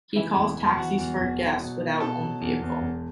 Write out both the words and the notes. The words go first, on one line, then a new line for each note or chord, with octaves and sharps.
He calls taxis for guests without own vehicle.
E3 E4 E5
E1
E2
A5
E3 F#4 F#5
E2
E1
F#3
B2
B2
B2 A4 A5
F#3
E2
E2
E1